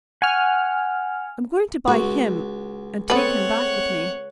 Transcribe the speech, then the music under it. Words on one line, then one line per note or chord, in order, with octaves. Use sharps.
I'm going to buy him and take him back with me.
F#5 G#5 C#6 F6
C#2 F#4
A3 B3 C4 A4 B4 C#5 F#5